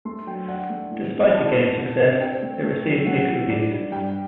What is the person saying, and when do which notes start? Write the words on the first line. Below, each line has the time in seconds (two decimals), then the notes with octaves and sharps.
Despite the game's success, it received mixed reviews.
0.05 A3 C6
0.27 F#3 G5
0.48 D4 F#5
0.70 A3
0.91 A2
1.13 C4
1.34 E4 A5
1.56 B3
1.78 C3
1.99 D4
2.21 C4 G5
2.42 A3
2.63 A3
2.85 F#3
3.07 A3 F#5
3.28 E3
3.50 D4
3.71 G3
3.92 G2 G5